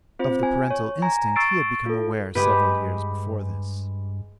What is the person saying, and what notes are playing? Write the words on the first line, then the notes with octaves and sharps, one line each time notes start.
Of the parental instinct he had become aware several years before this.
C4 F4 C5
G#5
C#5
G#5 A#5
C#6 E6 A6 C7 D7
F4 A4
G2 G#3 G4 B4